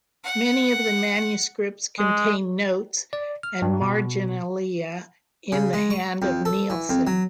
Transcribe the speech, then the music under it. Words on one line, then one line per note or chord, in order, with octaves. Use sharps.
Many of the manuscripts contain notes and marginalia in the hand of Neilson.
F#5
G#3
D5
F6
G2
B2
C#3
G#3
C#6
F2
A4
E3
F2
F#3